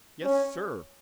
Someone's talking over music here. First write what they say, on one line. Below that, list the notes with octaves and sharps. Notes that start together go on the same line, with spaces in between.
"Yes, sir!"
C#4